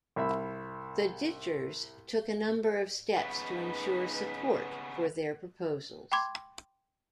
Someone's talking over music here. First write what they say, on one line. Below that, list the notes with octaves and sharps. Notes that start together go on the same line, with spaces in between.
The ditchers took a number of steps to ensure support for their proposals.
C2 E5 B5
C#3 B3 D#4 B4
G5 B5 C6 D6 G#6